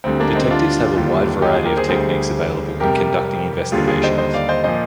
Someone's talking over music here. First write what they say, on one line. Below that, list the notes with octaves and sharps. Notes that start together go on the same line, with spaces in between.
Detectives have a wide variety of techniques available in conducting investigations.
D2 D3 G3 C4
A#3 D4
C4 D#4
D4 F4
D#2 D3 G3
D#4 G4
F4 G#4
G4 A#4
G#4 C5
D2 D3 G3 G#4 C5
F2 C3 G3 G4 A#4
D#2 D3 G3 F4 G#4
F4 G#4
C5 D#5
C5 D#5
D5 F5
C5 D#5
A#2 F3 C5 D#5